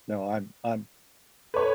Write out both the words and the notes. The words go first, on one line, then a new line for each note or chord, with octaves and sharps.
No, I'm I'm
A4 B4 C#5